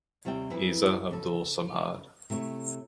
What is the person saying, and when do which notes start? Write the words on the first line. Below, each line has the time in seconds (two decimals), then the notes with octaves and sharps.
Isa Abdul Samad.
0.25 D#2 C3 G3 C#5 E5 G5
0.50 F2 E3 E4 B4
1.11 C#3 A4
2.30 C3 A3 E4 C#5